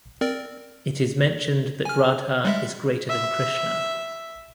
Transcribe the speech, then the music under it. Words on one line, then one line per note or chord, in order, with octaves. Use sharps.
It is mentioned that Radha is greater than Krishna.
C4 A#4 D5
G#5 F6
G3 G#3 E5
E5